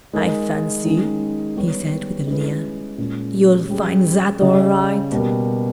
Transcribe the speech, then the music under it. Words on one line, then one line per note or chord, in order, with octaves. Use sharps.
"I fancy," he said with a leer, "you'll find that all right."
G#3 D#4 A#4 D#5
D#3 G#3 C#4 G#4
G3 B3 D#4 G4 C#5
G#3 C#4 E4 G#4 B4
A#2 G#3 C#4
G3 C#4 G#4
C#3 G3 C#4 G#4 D#5
B2 G3 A#3